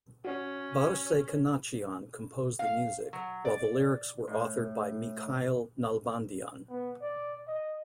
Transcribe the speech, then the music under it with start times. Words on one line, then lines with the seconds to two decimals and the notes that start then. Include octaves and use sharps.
Barsegh Kanachyan composed the music, while the lyrics were authored by Mikael Nalbandian.
0.25 C#4 F#4
2.59 F5
3.13 F#3
3.45 D5
4.28 A2
6.70 B3
7.01 D5
7.47 D#5